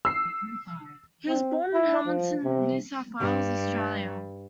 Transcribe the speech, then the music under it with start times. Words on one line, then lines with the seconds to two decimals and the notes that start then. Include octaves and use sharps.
He was born in Hamilton, New South Wales, Australia.
0.05 E6 C7
1.28 C4
1.73 E4
2.06 F3
2.44 C3
3.19 G2